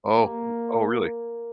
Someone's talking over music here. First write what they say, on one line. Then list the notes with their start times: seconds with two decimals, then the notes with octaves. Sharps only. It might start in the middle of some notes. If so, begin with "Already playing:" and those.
Oh, y oh, really?
0.17 A#3